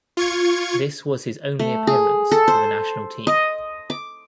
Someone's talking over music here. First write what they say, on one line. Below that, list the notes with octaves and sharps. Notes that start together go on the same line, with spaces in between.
This was his only appearance for the national team.
F4 C#6 G#6
A3
G#4
A4
C5
D#5
D6